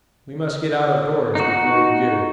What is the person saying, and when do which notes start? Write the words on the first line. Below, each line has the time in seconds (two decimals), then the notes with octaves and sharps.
We must get out of doors before you do.
1.35 D#4 F#4